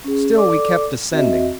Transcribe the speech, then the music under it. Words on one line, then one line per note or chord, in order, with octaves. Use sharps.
Still we kept descending.
C#4 G#4
A4 D5 D6
C4 F#4 D#5 E5